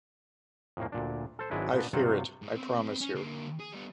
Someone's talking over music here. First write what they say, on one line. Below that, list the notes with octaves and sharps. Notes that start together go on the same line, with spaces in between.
I fear it, I promise you.
F2 A2 A#3
D2 A#2 D4
A4 C5
G#1 F#3 G#3 D4 E4 B4
A#2 B3 D4
G2 C3 F#3 F4 C5 F#5
G#2
B3 C4
C#4
D3 A#3
G#4
G3 B3